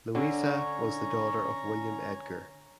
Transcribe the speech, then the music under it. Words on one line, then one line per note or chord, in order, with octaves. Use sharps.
Louisa was the daughter of William Edgar.
D3 C#4 C#5 A#5